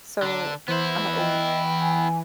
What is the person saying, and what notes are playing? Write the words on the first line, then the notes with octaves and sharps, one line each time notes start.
so, uh oh,
D3 D4
E3 B3 E4 C5
D#5 G5
G#5